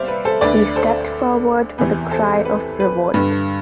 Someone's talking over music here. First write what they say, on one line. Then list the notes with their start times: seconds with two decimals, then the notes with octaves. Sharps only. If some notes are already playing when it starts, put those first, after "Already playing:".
He stepped forward with a cry of revolt.
Already playing: C2 C3 C5 D5 E5 F5
0.08 B4
0.25 A4 C5
0.41 D2 D3 B4 D5
0.76 A4 C5
1.78 E2 C3 E3 B4
2.11 A4 C5
2.45 B4
2.80 B4
3.14 G2 D3 B4